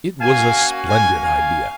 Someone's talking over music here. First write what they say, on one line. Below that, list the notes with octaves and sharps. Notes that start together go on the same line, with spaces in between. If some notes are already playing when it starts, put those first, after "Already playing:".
It was a splendid idea!
A#3 C#4 F#4 F5 G#5
F5 G#5
F5 G#5